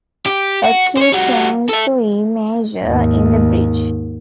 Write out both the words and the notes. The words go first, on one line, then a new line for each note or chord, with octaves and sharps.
A key change to E major in the bridge.
G4
F#4
C5 C#5
G3 F#4
A4 E5
D#2 G#2